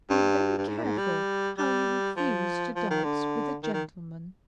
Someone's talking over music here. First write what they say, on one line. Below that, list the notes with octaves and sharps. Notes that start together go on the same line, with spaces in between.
Be very careful how you refuse to dance with a gentleman.
G2
G2
G#2
A#2
G#2
G3
G3
F3
F3
D#3
D3
D#3
D#3